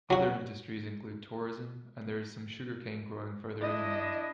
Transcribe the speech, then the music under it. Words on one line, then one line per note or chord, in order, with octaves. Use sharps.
Other industries include tourism and there is some sugar cane growing further inland.
F#3 F#4
D4 E4 D#5